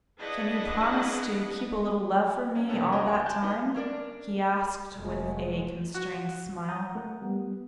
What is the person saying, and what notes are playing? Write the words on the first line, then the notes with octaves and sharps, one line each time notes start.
'Can you promise to keep a little love for me all that time?' he asked with a constrained smile.
D4 E4 G#4 B4 D#5 F#5
C#4
C3 D#3 B3 C#4 A4
C#4 F#4 C#5 D#5 G5
C#2 D#5 G5 C#6
G#5 A5 F#6 G6
F#3 B3 D4 D#4
C#4 D4 A#4 D5
F1 F#3 G#3 A3
F#4
F#5 A#5 D#6 G6
A3 A#4 F#5
G3 B3